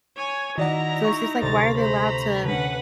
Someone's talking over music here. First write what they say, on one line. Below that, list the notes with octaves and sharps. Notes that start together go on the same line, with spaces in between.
so it's just, like, why are they allowed to
C#5 G#5
D#3 E4 F#4 D5 D#5 F#5 A#5
D#4 C#6
D2 C3 A#5 C6 A6
C5 A#5 B5
D3 C#4 B4 F#5